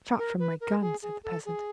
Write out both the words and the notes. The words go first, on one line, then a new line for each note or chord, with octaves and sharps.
"A shot from my gun!" said the peasant.
A#4
B4
A#4
G#4
G#4
A4
G#4